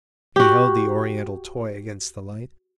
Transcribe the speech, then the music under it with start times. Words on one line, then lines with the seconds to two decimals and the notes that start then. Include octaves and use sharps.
He held the oriental toy against the light.
0.36 F#4 G4